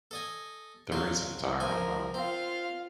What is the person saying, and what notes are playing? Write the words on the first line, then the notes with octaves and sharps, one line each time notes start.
The reasons are unknown.
A4 D#5 G#5
F#3 F4
F3 A#4 G#5
C4 F4 F5